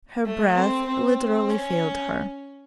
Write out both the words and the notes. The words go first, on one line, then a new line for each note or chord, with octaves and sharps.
Her breath literally failed her.
A3
C4
C4
C#4